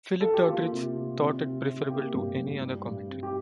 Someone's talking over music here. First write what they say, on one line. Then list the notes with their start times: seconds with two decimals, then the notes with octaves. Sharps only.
Philip Doddridge thought it preferable to any other commentary.
0.20 A4
0.34 G4
0.48 A#3 F4
0.72 C3
0.96 C3
1.19 C4
1.43 C3
1.67 C3
1.90 A#3 G4
2.14 G2
2.37 G2
2.61 G3
2.85 G2
3.08 C4
3.23 G4